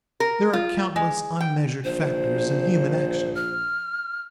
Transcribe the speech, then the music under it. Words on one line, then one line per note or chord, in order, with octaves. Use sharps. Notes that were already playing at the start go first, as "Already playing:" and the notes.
There are countless unmeasured factors in human action.
A#4
F4
G#3
G5
A#1 C5
F6